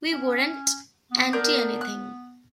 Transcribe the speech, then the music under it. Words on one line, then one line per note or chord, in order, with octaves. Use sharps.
We weren't anti-anything.
C#4
B3
D4 A#4 G6
F#6